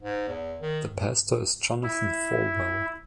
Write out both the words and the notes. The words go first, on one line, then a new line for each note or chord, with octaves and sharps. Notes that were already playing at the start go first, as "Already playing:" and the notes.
The pastor is Jonathan Falwell.
G#2
E2
D#3
E4